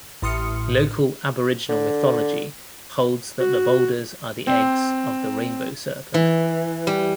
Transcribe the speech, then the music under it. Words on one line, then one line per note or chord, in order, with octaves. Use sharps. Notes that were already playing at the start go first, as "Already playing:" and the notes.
Local Aboriginal mythology holds that the boulders are the eggs of the Rainbow Serpent.
A1 A2 C6 D#6 F6 C#7
D3
F#4
C4
E3
G3